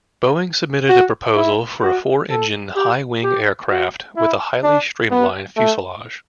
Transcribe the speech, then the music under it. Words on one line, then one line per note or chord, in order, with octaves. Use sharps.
Boeing submitted a proposal for a four-engine, high-wing aircraft with a highly streamlined fuselage.
F#4
E4
F#4
A4
G4
G4
F#4
E4
D4
B3
A3